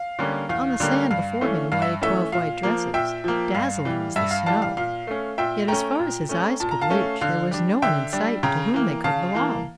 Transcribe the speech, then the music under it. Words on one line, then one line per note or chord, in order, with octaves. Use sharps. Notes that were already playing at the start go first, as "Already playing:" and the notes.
On the sand before him lay twelve white dresses, dazzling as the snow, yet as far as his eyes could reach there was no one in sight to whom they could belong.
Already playing: F5
D3 G3 A#3 C#4
E2 F5
D3 G3 A#3 C#4
G2 F5
E3 A3 C#4
G2 F5
E5
E3 A3 C#4 E5
A#2 F5
F3 A#3
A#2 E5 G5
F3 A#3
G2 F5
E3 G3
G2 E5
F5
E3 G3 F5 A5
F5
A#2 F5
A3 C#4
A#2 E5 G5
A3 C#4 G5 A#5
A#2
A3 C#4
A#2 A5
A#5
F5 A5
A3 C#4
D3 F5
G3 D4
D3 E5 G5
G3 D4
C#3 G5 A#5
E3 A#3
C#3 F5 A5
E3 A#3